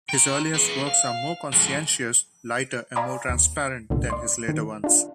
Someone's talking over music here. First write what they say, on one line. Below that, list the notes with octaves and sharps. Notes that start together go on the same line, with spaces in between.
His earliest works are more conscientious, lighter and more transparent than his later ones.
G5 A#5
B3 G#4
F5
F2 G#2
D5 F5 G#5 A#5 B5 D6
D#2
C2 A#2 D3
D5 C6
D#3
D4 F4